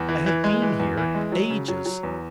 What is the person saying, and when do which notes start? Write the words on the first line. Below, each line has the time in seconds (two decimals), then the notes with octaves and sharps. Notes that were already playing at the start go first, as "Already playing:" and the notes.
'I have been here--ages!
Already playing: E2
0.09 E3
0.26 E3
0.44 G#3
0.62 E3
0.80 E2
0.97 E3
1.15 G#3
1.32 F#3
1.50 C#3
1.68 F#3
1.86 F#3
2.03 E2